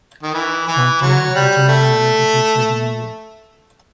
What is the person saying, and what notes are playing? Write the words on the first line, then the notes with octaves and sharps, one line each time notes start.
"Frontier" was generally well received by the media.
D#3
E3
E3
F#3
G3
A3